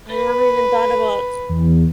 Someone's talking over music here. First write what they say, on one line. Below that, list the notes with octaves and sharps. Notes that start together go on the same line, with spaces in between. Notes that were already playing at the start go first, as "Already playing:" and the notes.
I never even thought about
B4
E2